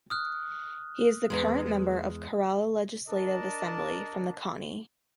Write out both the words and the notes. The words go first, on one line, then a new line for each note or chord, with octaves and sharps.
He is the current member of Kerala Legislative Assembly from the Konni.
D#6 F6 F#6
E2 G#3
D4 A#4 D5 D#5 A5